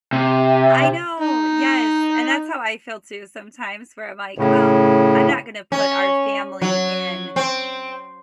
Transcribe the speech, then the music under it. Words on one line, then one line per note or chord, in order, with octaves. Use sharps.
I know, yes, and that's how I feel too sometimes where I'm like, well, I'm not gonna put our family in
C3
D#4
A2 C#3
C#4
F#3
C4